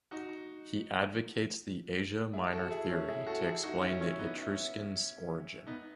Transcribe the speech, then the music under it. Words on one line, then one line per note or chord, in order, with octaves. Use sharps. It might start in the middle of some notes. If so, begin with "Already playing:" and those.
He advocates the Asia Minor theory to explain the Etruscans' origin.
D#4 F#4
E4 G#4
F#4 A4
E4 G#4
C#4
E4 G#4
F#4 A4
E4 G#4
D#4 F#4
C#4 E4
C#4 E4
B3 D#4
C#4 E4
B3 D#4